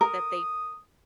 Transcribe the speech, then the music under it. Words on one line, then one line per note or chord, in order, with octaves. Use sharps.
that they
A#4 D#6